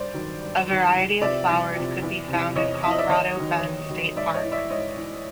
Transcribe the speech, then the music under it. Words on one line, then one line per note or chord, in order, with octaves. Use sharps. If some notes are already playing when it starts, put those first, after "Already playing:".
A variety of flowers could be found in Colorado Bend State Park.
Already playing: G2 C5 D5
D#3 F#3
G2
D#3 F#3
C2
C3 F3 D5 E5
C2
C3 F3
E2
C3 E3
E2 C#5 D#5
C3 E3 D#5 E5
D5 E5
D#2 C#5 D#5
D#3 F#3
D#2
D#3 F#3
G#2 D5 E5
C#5 D#5
E3
D5 E5
G#2 C#5 D#5
E3